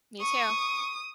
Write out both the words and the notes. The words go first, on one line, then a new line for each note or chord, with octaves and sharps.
Me too.
C#6 D#6